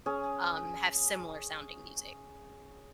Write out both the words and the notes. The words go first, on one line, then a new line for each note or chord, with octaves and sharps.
um, have similar sounding music.
C#4 G#4